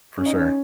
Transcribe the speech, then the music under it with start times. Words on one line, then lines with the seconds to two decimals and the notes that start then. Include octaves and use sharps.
For sure.
0.17 C#4
0.26 D#4
0.34 C#4